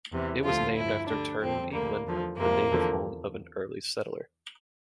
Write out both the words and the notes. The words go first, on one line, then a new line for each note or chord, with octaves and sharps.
It was named after Turton, England, the native home of an early settler.
E2 C3 E3
D2 D3 F3 F4
G2 F3 E4
D2 D3 G3 D4
F2 D3 F3 C4
D2 D3 G3 A#3
E2 D3 F3
F2 C3 F3 A#3
E2 D3 F3